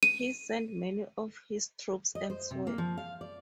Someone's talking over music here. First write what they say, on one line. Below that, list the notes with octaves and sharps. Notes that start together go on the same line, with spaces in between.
He sent many of his troops elsewhere.
D#7
D#5
C5
C3
A#3
F3
F5
D5